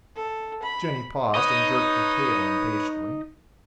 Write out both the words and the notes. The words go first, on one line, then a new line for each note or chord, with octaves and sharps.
Jenny paused and jerked her tail impatiently.
A4
B5
D#4 B4 C#5 D#5 D#6